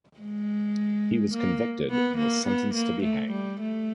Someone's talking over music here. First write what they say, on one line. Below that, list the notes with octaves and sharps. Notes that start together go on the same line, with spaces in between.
He was convicted and was sentenced to be hanged.
G#3
A#3
B3
A#3
B3
A#3
A3
G3
A3